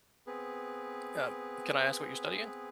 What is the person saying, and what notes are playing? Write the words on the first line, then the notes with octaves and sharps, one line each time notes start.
Uh, can I ask what you're studying?
B3 C4 G#4 B4